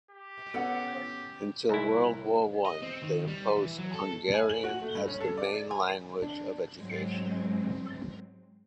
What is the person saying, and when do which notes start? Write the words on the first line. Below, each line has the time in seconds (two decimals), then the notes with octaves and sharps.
Until World War One, they imposed Hungarian as the main language of education.
0.11 G4
0.54 B3 C#4 A4 F#5
1.69 C2 E4
2.65 D#5
2.82 C4
3.03 D#3
3.28 G3
3.57 E3
3.78 F#3
3.94 A4
4.34 G#5
4.49 F#7
4.64 F#4
4.82 A3
4.95 G2
5.08 C#4
5.20 A4
5.37 D5
5.71 G#5
6.22 D4
6.78 G#2 F#3 G#3 C4